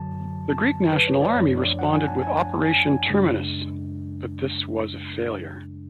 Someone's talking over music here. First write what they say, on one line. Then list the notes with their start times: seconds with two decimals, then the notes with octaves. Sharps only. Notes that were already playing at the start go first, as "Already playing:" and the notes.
The Greek National Army responded with Operation Terminus, but this was a failure.
Already playing: F#2 D3 F#3 A5
0.49 A5
0.93 B4
1.08 C#5
1.21 D5
1.36 F#2 F3 A3 D4 C#5
1.57 D5
1.79 F#5
1.93 G#5
2.08 A5
2.22 G#5
2.65 G#5
3.08 F#2 C#3 G#3 D4